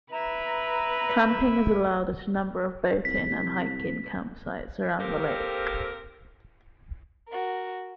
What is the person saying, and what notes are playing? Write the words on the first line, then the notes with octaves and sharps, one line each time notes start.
Camping is allowed at a number of boat-in and hike-in campsites around the lake.
E4 B4 E5 A#5
C2 B6
A#3 C4 G4 A4 A#4
F#4 A#4